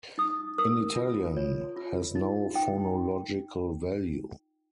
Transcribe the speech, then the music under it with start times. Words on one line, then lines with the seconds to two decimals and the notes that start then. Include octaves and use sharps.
In Italian, has no phonological value.
0.18 D#4 D#6
0.58 A#4 D#6
0.97 F4
1.37 C#5
1.77 F4
2.15 D#4
2.54 D#4 G5